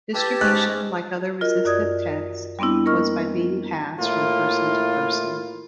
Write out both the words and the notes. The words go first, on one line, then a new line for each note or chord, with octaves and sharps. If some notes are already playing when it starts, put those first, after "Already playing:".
Distribution, like other Resistance texts, was by being passed from person to person.
E4 G4 B4 A5
G#2 C#4 D6 F#6
F4 F#4 A#4 D#5
F#2 F#4 D5 D#6 G#6
G3 B3 C4 D4 E4
A#3 A#4 D#5 C#6 F6
A2 A#3 E4 F4